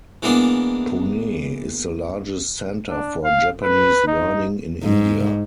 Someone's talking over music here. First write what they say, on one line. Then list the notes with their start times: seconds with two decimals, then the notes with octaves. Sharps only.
Pune is the largest centre for Japanese learning in India.
0.22 E3 G#3 A#3 B3 D4
2.90 D4
3.24 F5
3.62 B4
4.07 D#4
4.83 G#2